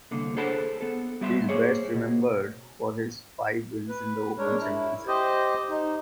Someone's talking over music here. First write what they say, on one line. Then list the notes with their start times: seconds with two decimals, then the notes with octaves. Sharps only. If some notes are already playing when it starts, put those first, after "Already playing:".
He is best remembered for his five wins in The Open Championship.
0.11 C2 D3 A#3
0.37 G#4 A4 C5 F#5 A5 B5
0.81 B3 A4
1.21 G3 B3 E5 C6
1.49 A#3 G#4 C5 C#5
1.94 B2
3.89 B4
4.38 G#3 D4 A#4 C#5
4.60 E4
5.07 G4 C5 D#5
5.70 D#4